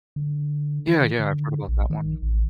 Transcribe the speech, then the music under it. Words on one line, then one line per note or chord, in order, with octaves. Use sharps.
Yeah, yeah, I've heard about that one.
D3
D#3
D3
A#1
D#3
A1